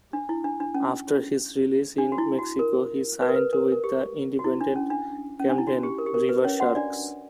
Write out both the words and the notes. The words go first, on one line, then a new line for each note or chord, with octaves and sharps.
After his release in Mexico he signed with the Independent Camden Riversharks.
D4
E4
D4
D4
C#4
D4
F#4
E4
F#4
A#4
B4
A#4
B4
A#4
A#4
G4
F#4
E4
D4
C#4
D4
C#4
D4
E4
F#4
G4
A#4
G4
A#4
B4
C#4 C#5
F#4 F#5
D4 D5